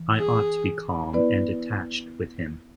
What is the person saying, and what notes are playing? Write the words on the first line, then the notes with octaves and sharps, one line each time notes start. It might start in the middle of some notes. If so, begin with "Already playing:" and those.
I ought to be calm and detached with him.
Already playing: E3
G#4
B3 E4 B4 D5